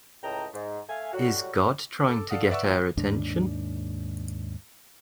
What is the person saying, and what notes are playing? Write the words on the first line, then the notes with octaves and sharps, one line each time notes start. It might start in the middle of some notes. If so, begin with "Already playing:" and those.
Is God trying to get our attention?
C#2 A2 D#5 G5 A5 A#5
G#2
A3 E5 F5 G#5
A2 F#3 G3 F#4
A4 D6
A4 D5 F5 F#5 D#6
B4 D5 E5 F#5 C#6 E6
A1 F4 G5
D#2 G#2 D4